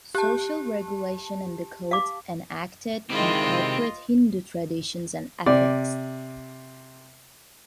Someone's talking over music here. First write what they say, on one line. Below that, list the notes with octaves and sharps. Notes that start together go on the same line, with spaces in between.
Social regulation in the codes enacted incorporate Hindu traditions and ethics.
G4 A5
F5 D6
D#3 G#3 C4 E4 F4 G4 D#5
C3 D5